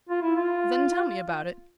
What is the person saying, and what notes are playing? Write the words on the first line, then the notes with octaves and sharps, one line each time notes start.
"Then tell me about it."
F4
E4
F4